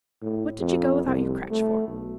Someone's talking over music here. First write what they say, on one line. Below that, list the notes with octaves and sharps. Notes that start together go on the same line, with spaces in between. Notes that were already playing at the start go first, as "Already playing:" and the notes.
What did you go without your crutch for?
A2
F2
C2
A3
B1